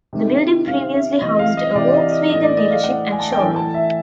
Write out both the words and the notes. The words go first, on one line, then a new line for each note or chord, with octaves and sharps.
The building previously housed a Volkswagen dealership and showroom.
C3 D#3
C3 D#3 F5
E5
C3 E3 D#5
F5
D#5
C3 E3 D5
D#5
D#5
A2 E3 D#5
D5
D#5
F5
A2 E3 F#5
G#5
A5
G5
A2 E3 G#5
A5
E5